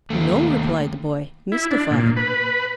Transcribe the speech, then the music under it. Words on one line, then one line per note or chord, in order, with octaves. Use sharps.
"No," replied the boy, mystified.
D#2 A3
E4
D4
A#2
B4